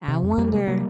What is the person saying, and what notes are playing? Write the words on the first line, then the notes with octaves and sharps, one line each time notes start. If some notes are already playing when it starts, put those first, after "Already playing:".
I wonder.
C3
F2
F2 G3 A#3
C3
C3 G3 A#3